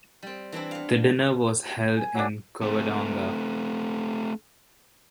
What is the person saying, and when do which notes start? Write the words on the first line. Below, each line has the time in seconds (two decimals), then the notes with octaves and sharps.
The dinner was held in Covadonga.
0.23 G3 C4
0.52 E3 C4 D4 E4
0.71 B3 F5
1.95 G#5
2.15 F#3 A#3 D4
2.61 A3 C4